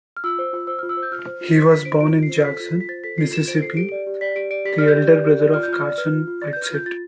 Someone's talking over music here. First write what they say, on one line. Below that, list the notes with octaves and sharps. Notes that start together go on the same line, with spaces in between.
He was born in Jackson, Mississippi, the elder brother of Carson Whitsett.
F6
F4 E6
C5
F4
C5 E6
F4 F6
E6
C5
G6
F4 F6
C5
F4
B6
C5 A6
F4 B6
C5 D7
F4 D7
F4
C7
C5
A4 B6
F4
F4
B6
C5 A6
A4 B6
F4 C7
F4 E7
C5 D7
A4 C7
G4 D7
D5
G4
D5 B6
G4 D7
D5 D7
G4 B6
D5 F6
G6
G4
D5
G4
D5
F4 F6
G6
F4 F6
D5
B4 F6
F4
F4
D5 A6
B4 G6
F6
F4 G6
F4 A6